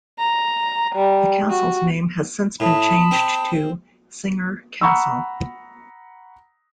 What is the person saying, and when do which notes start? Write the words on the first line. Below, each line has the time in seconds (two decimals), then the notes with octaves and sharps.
The castle's name has since been changed to "Singer Castle".
0.19 A#5
0.95 G3
1.50 F#4
2.60 A2 A5 B5 D#6
3.11 C4
4.81 F#5 A#5 B5 C#6 D#6 E6